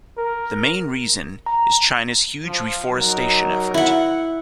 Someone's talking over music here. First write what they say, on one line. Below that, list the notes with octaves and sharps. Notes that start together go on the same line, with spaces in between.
The main reason is China's huge reforestation effort.
A#4
A#5
F3
F#3 D#4 A#4
E4 F#5